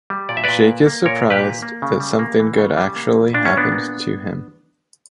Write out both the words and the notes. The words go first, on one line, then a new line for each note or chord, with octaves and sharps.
Jake is surprised that something good actually happened to him.
G3
A#2 D5
E5
A#2 B4 D5
A#3
A#3
A#2 A#4 C#5
A#2
G4 B4
A#3
A#3
C#3
G3
A#3
E3
C#3
G3
A#3
E3
A#2 D4
C#4
A#2 B3 D4
A#3